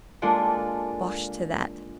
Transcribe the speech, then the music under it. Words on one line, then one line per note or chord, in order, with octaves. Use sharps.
"Bosh to that!"
G#3 A#3 D4 F4 A4 A#4